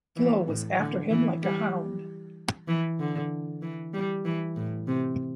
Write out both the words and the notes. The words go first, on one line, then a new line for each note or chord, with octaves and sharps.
Flo was after him like a hound.
E3
A2
D3
E3
G3
E3
D3
E3
G3
E3
A2
C3